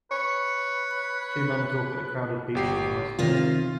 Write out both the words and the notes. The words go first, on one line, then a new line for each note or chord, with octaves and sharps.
Two men talk at a crowded beach on a nice day.
B4 C#5
G1 G4 C7
C3 D#3 F4 F5